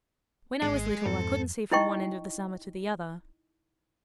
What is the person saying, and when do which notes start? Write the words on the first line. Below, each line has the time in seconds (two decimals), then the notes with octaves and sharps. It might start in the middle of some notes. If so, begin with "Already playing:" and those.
When I was little I couldn't see from one end of the summer to the other.
0.63 G#1 G#3
1.06 F2 G#2 C4 A4
1.71 D#4 E4 D#5 G5 C#6